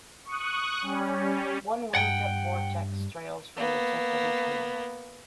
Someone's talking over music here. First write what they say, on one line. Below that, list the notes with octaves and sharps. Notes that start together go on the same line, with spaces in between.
One wingtip vortex trails from the tip of each wing.
C#6 D#6 F#6
G3 C#4
G2 F#5 G5
A#3 B3